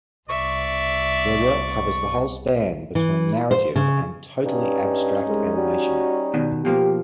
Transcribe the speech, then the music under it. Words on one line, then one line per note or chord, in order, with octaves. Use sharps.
Their work covers the whole span between narrative and totally abstract animation.
C2 D5 E5 C#6
E3
C5
C#3
G2 C#4 D#4
C2 G#3
G3 F#4
B2 D#3
B2 F3 A#3 G4